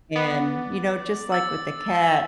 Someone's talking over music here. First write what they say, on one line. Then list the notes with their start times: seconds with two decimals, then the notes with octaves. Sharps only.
and, you know, just like with the cat,
0.16 B3 D5
1.32 E6 A6